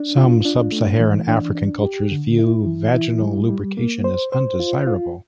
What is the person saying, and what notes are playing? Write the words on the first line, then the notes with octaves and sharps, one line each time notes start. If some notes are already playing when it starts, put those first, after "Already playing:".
Some sub-Saharan African cultures view vaginal lubrication as undesirable.
Already playing: D4
F4
D4
A3
E3
D4
D4
G4
D3
E4
E3
E4
G3
G3
A#3
C5
C5
F4
F4